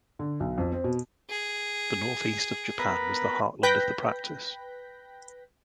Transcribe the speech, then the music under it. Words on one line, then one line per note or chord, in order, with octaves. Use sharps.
The north east of Japan was the heartland of the practice.
D3
B1
F2
C4
B2
G#4
B3 A#4 B4
B4 G5 F#6 G6 A#6 B6